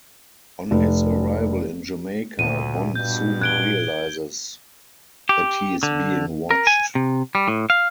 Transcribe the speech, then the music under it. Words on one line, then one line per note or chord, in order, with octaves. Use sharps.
On his arrival in Jamaica, Bond soon realises that he is being watched.
F1
D2 A#2 D#7
G2 B2 G6
F#6 G#6 D7 G7
G4
D3
A#4
G#5
C3
G3
A2
F5